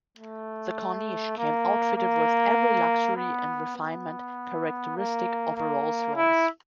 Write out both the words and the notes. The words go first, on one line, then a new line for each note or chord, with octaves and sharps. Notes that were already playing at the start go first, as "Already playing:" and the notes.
The Corniche came outfitted with every luxury and refinement characteristic of a Rolls-Royce.
A3
A#3
A#3
B3
B3
A#3
A#3
E4